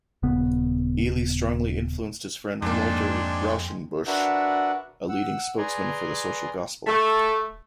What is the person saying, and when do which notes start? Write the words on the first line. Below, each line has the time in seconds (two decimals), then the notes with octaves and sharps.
Ely strongly influenced his friend Walter Rauschenbusch, a leading spokesman for the Social Gospel.
0.23 D#1 C#3 B3
2.62 F2 G#2 G#3 A#3 D4 G5 C6
4.07 D4 F#4 A#4 B4 E5 F#5
5.09 F#5 E6
5.58 G#4 B4 D5 G#5 A#5 C6
6.86 A3